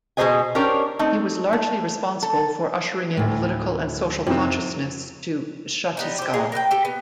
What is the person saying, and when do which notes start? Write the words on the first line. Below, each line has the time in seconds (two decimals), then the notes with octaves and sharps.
He was largely responsible for ushering in political and social consciousness to Chhattisgarh.
0.17 B2 G#4 A4 C5 D#5 G#5
0.55 C#4 D4 G4 A#4 C5 C#5
0.99 A3 C4 D#4
1.53 A3
2.23 A4
3.17 D2 A2
4.27 F2 C3 D#3 F3
5.97 G3 B3 D#4
6.19 C4 G4
6.34 G#4 A#4 D#5
6.52 A#4 B4 F5 G5
6.71 G4 A4
6.85 B3